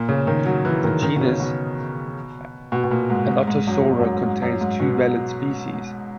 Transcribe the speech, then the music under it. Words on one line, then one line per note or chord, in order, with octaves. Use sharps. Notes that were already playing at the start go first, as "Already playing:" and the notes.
The genus "Anotosaura" contains two valid species.
Already playing: A#2
C#3
D#3
F#3
E3
D#3
D#3
B2
C#3
B2
B2
B2
A#2
G#2
G#2
G#2
F#2
G#2
F#2
G#2
G#2
F#2
G#2
B2